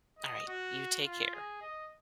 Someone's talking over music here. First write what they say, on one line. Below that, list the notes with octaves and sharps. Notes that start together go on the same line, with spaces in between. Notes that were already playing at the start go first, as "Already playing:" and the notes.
Alright, you take care.
D#5
F#4
F4
G#4
D#5